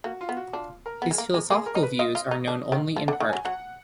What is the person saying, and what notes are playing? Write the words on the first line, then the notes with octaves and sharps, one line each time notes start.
His philosophical views are known only in part.
A#3 F#4
F4
B3
F#4
D4 F4
A#4
B3
G#3
A#3
G#3
A#3 G#4
A#4
D#4
B4
F4 D#5
F4
D#4
D4
D#3
F3
D3
F#5
D#3
F#3 G#5
F#3 F#5